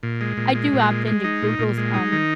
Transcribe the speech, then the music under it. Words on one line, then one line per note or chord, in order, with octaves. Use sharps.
I do opt into Google's, um,
A#2
G#3
A#2
G#3
A#2
G#3
G#3
D#4
A#2
A#2
G#3
D#4
D#3